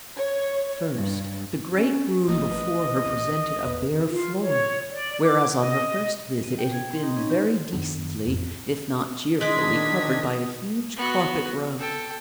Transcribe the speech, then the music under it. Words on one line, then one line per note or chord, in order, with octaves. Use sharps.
First, the great room before her presented a bare floor, whereas on her first visit it had been very decently, if not cheerfully, covered by a huge carpet rug.
C#5
G2
C#4
G#1 A3 A#3 D#5
A1 B4
C#2
E2 B4
F4
C#5
D5
D6
D#5
D#7
G5
G#6
C6
D#4
C#4
G6
F#2 D#3 B3 D4
A1 F2
D#3 G#3 D4 D#5 D6 G#6 B6
B3 F#4
A4 G5